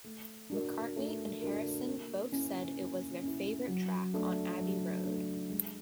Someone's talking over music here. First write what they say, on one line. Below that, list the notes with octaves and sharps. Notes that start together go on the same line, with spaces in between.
McCartney and Harrison both said it was their favourite track on Abbey Road.
A3
D4 F#4 A#4
A3
D4 F#4 A#4
A#3
C#4 E4
A#3
C#4 E4
F#3
A3 D4
F#3
A3 D4
G#3